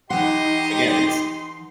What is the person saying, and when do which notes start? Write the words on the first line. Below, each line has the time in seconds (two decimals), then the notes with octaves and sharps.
again, it's
0.10 E3 D#4 G4 D#5 F#5 C6